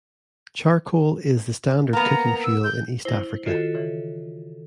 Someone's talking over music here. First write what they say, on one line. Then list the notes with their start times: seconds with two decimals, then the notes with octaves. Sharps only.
Charcoal is the standard cooking fuel in East Africa.
1.93 A#3 B3 A#5
2.44 E6
2.64 G6
3.05 E4 C5 A#6
3.46 D#3 F4 F#4 A4
3.74 C#3 E3